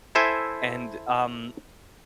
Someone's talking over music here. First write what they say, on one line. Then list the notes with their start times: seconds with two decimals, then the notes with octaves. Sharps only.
and, um,
0.15 E4 A4 C5 E5 G#5